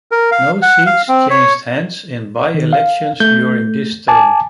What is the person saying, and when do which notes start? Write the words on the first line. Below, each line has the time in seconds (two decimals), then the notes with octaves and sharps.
No seats changed hands in byelections during this term.
0.11 A#4
0.32 F5
0.62 F#5
0.86 F5
1.09 C4
1.30 C#5
2.54 D#3
2.73 F5
3.20 A3 G6
4.08 G#5 A5 D6